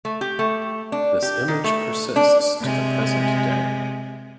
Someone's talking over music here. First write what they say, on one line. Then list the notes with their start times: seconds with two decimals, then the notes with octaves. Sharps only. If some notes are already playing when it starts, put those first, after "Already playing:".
This image persists to the present day.
0.05 A3
0.21 G4
0.39 A3
0.92 D4
1.22 G4
1.48 D#3
1.64 A3
2.16 D4
2.61 C3 G#3